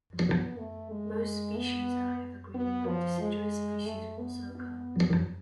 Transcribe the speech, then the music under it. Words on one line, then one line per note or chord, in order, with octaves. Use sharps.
Most species are evergreen, but deciduous species also occur.
B3
A3
G#3
B3
B3
F3
G#3
A3
B3
B3